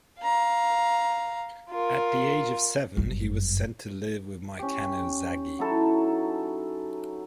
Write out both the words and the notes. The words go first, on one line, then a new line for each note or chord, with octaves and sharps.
At the age of seven, he was sent to live with Maikano Zagi.
F5 A#5
F4 A#4
G1 F#2
C#4 G4
F#3 D#4 E4 A4